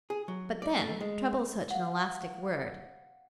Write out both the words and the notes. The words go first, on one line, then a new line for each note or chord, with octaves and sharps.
But, then, trouble is such an elastic word.
G#4
F#3
D5
A3
G#3
F5 F#5